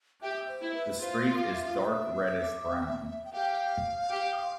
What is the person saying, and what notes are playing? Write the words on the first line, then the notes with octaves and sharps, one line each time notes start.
The streak is dark reddish brown.
G4 E5
C5
E4
B4
F4 C5
F5
E5
F5
E5
G5
G4 F5
G4